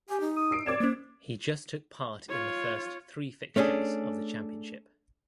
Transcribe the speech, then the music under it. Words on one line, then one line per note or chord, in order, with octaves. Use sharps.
He just took part in the first three fixtures of the championship.
G4 G#5
D#4
D#6
E6 C7 D7
C4 D5 D6 G#6 E7
A#3 C#4 C5
F4 C#5
A3 C#4 D4 G#4